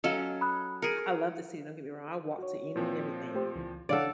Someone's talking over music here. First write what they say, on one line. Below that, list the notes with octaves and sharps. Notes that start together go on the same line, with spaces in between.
I love the city, don't get me wrong. I walked to any and everything,
F#3 C#4 A4 D#5 F5
B5 D#6 F#6
G#4 A#4 C#7 D7
F#4 C#5
A#2 F3 C4
A3 G4 C5
C#2 E3
C#3 E3 D4 A4 C#5 D5 F5 F#5